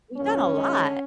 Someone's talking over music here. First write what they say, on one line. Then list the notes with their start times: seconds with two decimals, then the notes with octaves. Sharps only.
You've done a lot.
0.17 G2 E3 G3 A#3 C#4
0.53 F#2 D#3 G#3